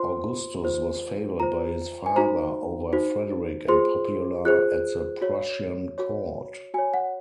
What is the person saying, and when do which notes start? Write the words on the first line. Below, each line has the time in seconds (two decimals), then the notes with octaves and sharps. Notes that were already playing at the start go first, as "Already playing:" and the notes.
Augustus was favored by his father over Frederick and popular at the Prussian court.
Already playing: F4 C5 C6
0.63 F4 C5
1.40 F4 C5 A#5
2.06 G#5
2.16 D#4 F#4 C5 A#5
2.93 D#4 F#4 C5
3.68 F4 G#4 C5 C6
4.45 F4 G#4 C5 F#6
5.22 F#4 C#5
5.98 F#4 C#5
6.74 F#4 C#5 G#5
6.94 F#5